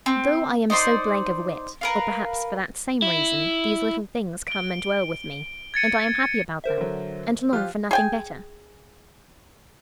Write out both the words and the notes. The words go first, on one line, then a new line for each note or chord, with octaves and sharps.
Though I am so blank of wit, or perhaps for that same reason, these little things come and dwell with me, and I am happy about them, and long for nothing better.
C4
D#4 C5 D5 C6
A#4 B4 F5
E4
D7 G7
G#6 A6 C#7 D#7
A#4 C5 E5
D3 F#3
F3 F4 G4 F6 F#6
G#4 G5 G#5